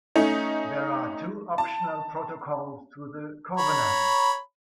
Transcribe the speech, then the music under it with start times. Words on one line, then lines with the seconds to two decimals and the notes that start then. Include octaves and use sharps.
There are two Optional Protocols to the Covenant.
0.15 A3 C#4 D#4
1.58 A5
3.57 C#5 A#5 B5